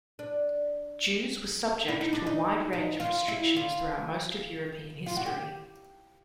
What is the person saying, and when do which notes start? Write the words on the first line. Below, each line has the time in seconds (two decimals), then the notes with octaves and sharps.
Jews were subject to a wide range of restrictions throughout most of European history.
0.19 D4
1.88 E4
2.01 D#4
2.13 D4
2.27 D#4
2.73 D#4
3.00 F4
3.28 E4
3.57 F4
5.06 F4
5.17 F#4
5.26 G4